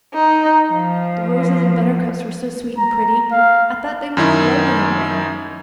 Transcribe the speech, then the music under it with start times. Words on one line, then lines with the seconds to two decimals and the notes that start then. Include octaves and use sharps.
The roses and buttercups were so sweet and pretty I thought they'd look lovely on my hat.
0.14 D#4
0.73 F3
2.78 A#5
3.32 F5
4.17 F#2 D#3 E4